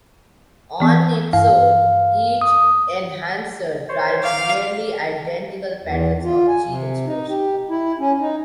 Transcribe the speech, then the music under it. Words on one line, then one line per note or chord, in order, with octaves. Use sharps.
On its own, each enhancer drives nearly identical patterns of gene expression.
E3 B3 C#6
G2 F5
D#6
C5 C#5
F5 D6
E2
F4
G#5
C3
D#4
G4
E4
C#4
D#4